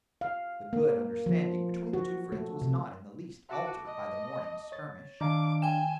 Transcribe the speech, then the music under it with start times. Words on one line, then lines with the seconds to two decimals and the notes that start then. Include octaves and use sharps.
The good understanding between the two friends was not in the least altered by the morning's skirmish.
0.21 F5
0.73 A#3
1.26 F3
1.93 F#4
2.32 A3
2.62 C3
3.50 F#4 E5 A5 D6
3.85 D#5
4.72 C#5 A6
5.21 D#3 D4 F5 D6
5.62 G5 G#5 E7